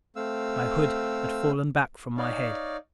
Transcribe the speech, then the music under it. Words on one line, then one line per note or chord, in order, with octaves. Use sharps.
My hood had fallen back from my head.
A3 C4 F5 E6
D#4 C#5 D5 F5